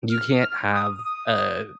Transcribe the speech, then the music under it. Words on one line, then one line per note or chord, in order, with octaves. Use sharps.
You can't have a
F6
F6
D#6
D#6